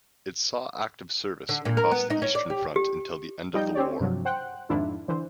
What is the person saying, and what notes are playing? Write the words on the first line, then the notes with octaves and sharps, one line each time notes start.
It saw active service across the Eastern Front until the end of the war.
D3
A#2
A#4
B3
D#4
C#4
D5
G4
G4
F3 G3 D#4 G5 G6
C4 C#4 G4 C#5 D5
G2 C3 F3 F#3
C5 F#5 G5 F#6
F2 G#2 D#3 D4 E4 F4
D3 E3 C5